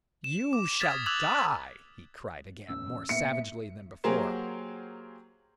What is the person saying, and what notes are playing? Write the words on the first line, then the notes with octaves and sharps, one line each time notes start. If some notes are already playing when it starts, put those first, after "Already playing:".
"You shall die!" he cried again, more savagely than before.
E7
D6
D#6 F6 G#6 A6 B6
D6 E6 F#6 G#6 F7 F#7
D1 A1 C#4 E6
A#2 A#3 B3 E5 C#7
F#3 A#3 G4 G#4 A#4 C5